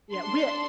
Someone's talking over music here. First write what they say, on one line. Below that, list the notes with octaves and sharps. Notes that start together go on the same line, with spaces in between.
Yeah. Wea
D4 A4 C6